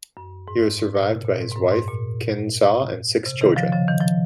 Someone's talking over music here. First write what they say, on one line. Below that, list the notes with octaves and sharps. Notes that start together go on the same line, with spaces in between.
He was survived by his wife Khin Saw and six children.
F#2
G#2
G#2
A#2
C3
A#2
G#2
G#2
F#2
G#2
A#2
C3
C3 D#3
C#3 F3
C#3 F3
D#3
F3